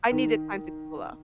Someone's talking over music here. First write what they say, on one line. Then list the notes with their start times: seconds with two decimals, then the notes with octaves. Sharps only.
I needed time to cool off.
0.11 D#3